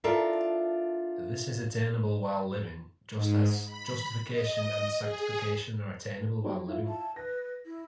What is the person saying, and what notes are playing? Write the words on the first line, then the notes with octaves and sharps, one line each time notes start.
This is attainable while living, just as justification and sanctification are attainable while living.
D4 E4 F4 A4 A#4 E5
G#2
B5
D#5
G#4
F#3 A#3 G4
E4 F4 E5
A5
B4 A#6
E4